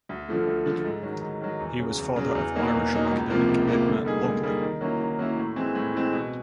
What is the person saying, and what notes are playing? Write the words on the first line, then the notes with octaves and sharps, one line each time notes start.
He was father of Irish academic Edna Longley.
D2
D3 F3 A3
D2
D3 F3 A3
G#2
D#3 F#3
G#2
D#3 F#3
E2
C#3 F#3
E2
C#3 F#3
E2
B2 F#3 A#3 D#4
E2
B2 F#3 A#3 D#4
C#2
C3 F3 A#3
C#2
C3 F3 A#3
D3
G3 A#3 D#4 G#4
D3
G3 A#3 D#4 G#4
D#3
F#3 A#3 C#4 E4
D#3
F#3 A#3 C#4 E4
A2
E3 G#3 C4
A2
E3 G#3 C4
B2